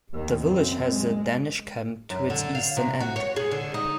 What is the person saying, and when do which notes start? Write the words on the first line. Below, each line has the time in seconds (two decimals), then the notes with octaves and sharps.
The village has a Danish Camp to its eastern end.
0.13 D#2 D#3
0.44 F#2 C4
0.87 G#3
2.10 F#2
2.30 D3
2.55 F5
2.77 C3
3.00 F#4
3.16 C#5
3.36 G#4
3.51 D3
3.74 D#4